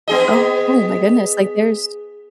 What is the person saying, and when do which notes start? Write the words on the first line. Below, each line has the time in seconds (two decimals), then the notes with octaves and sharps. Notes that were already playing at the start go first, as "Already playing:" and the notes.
"Oh my goodness, like, there's"
0.08 B3 G#4 D#5